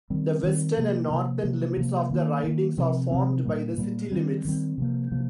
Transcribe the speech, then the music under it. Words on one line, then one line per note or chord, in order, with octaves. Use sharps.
The western and northern limits of the ridings are formed by the city limits.
D#3 G3 C4
D#3 G3 C4
C3 F3 A#3
C3 F3 A#3
C3 F3 A#3
C3 F3 A#3
D#3 A#3
D#3 A#3
C3 F3 C4
C3 F3 C4
A#2 G3 A#3
A#2 G3 A#3
D#3 G3 C4
D#3 G3 C4
C3 F3 A#3
C3 F3 A#3